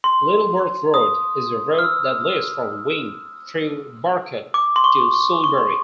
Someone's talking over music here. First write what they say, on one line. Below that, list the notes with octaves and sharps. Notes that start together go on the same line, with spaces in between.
Littleworth Road is the road that leads from Wing through Burcott to Soulbury.
C6
D#6
F6
E6
D6
C6
C#6
C#6
C#6
C6